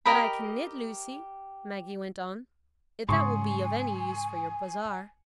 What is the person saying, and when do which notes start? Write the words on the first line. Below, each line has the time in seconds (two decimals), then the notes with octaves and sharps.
"But I can knit, Lucy," Maggie went on, "if that will be of any use for your bazaar."
0.06 G4 A#4 D#5 B5
3.09 G#2 C#3 G#5 C6 C#6 D#6